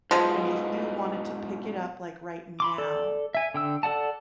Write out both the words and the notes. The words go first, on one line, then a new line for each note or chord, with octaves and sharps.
and if you wanted to pick it up, like, right now
G#2 B2 F3 G#3
B5 C6 D6
A4 D5
E5 G#5
D3 G5 E6
A4 D5 F#5 A5